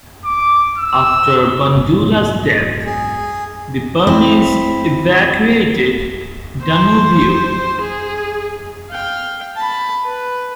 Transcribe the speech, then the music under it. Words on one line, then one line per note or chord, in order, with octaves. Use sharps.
After Bandula's death, the Burmese evacuated Danubyu.
D6
E6
B1 G#2 B2
G#4
C4 E4
C5
G#4
F5 G5
A5 B5
B4